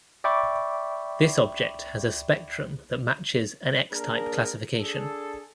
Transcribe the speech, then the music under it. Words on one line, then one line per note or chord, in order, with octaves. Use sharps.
This object has a spectrum that matches an X-type classification.
D5 E5 G5 B5 C#6 D6
A#3 D4 G#4 A#4
D4 G#4 A4